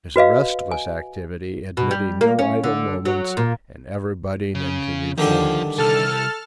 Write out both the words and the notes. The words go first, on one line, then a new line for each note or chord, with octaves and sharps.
It is a restless activity, admitting no idle moments and ever budding into new forms.
F#4 B4 D#5 F5
G#5
B2
G3
A#3
C#4
D3
F#3
A#2
C#3
D#2 D3 F3 G3
C2 A4 A5 F6